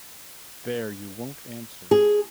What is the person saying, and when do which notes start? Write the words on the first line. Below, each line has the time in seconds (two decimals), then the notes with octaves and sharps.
There, you won’t answer.
1.91 G#4